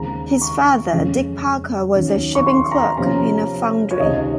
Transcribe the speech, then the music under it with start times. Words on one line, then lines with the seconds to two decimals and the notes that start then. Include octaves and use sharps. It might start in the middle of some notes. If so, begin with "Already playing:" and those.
His father, Dick Parker, was a shipping clerk in a foundry.
Already playing: D#2 C#3 G#3 C4 A#5
0.42 C#6
0.93 F2 C#3 G#3 C#4
1.95 D#2 D#3 F#3 C#4
2.35 C#6
2.46 C6
2.72 A#5
2.97 C3 F3 A#3 C#4 A#5
3.91 C#5
4.00 C#2 C3 D#3 D#5